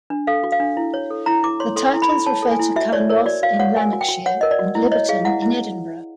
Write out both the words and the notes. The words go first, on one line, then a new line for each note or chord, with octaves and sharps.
The titles refer to Carnwath in Lanarkshire, and Liberton in Edinburgh.
D4
A4 F5
F#4
F5
D4
E4
C#5
A4
E4 A#5
E4 D6
C#5 C6
A4 C6
E4
B5
E4
C#5 A5
A4
G#5
E4
F#4 E5
C#5 D5
A#4 C#5
F#4 D5
F#4 F5
C#5 F#5
A#4 G#5
F#4
G5
F#4
C#5 F#5
A#4 D#5
D5
F#4
E4
C#5 D#5
G#4 F5
E4 F#5
E4